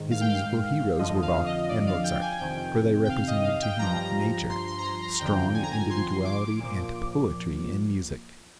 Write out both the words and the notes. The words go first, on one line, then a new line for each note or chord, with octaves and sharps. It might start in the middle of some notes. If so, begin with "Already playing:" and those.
His musical heroes were Bach and Mozart, for they represented to him nature, strong individuality and poetry in music.
Already playing: G#2 D#3
F5
G5
F5
F2 D3 F3 D#5
F5
D#5
D5
F5
G5
G#5
F2 C3 D#3 G5
G5
F5
D#5
F5
G5
G2 F3 A#5
C6
C6
A#5
C6
A#5
F2 D3 F3 G5
G#5
A#5
G#5
C6
D6
A#2 F3